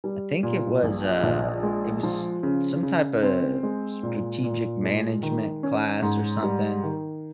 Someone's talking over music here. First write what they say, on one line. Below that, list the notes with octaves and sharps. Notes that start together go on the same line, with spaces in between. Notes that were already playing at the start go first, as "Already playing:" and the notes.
I think it was a it was some typa strategic management class or something,
G3
A#2
A#1
A#1
G#3
F3
C#3
C#3
C4
G#3
A#2
A#2
G#3
D#3
C#4
G#2
G3
D#3